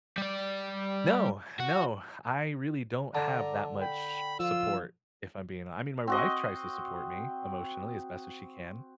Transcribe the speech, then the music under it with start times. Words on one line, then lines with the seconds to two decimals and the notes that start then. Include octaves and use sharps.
no, no, I really don't have that much support if I'm being I mean, my wife tries to support me emotionally as best as she can.
0.18 G3 D5
1.60 F#4
3.15 D3 D5 A5 A#5
3.82 G5 B5
4.40 F3 F4 E6
6.07 C4 F#4 D#5